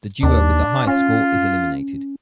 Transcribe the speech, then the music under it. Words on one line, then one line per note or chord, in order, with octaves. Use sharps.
The duo with the highest score is eliminated.
D#2 D4
C#4 F4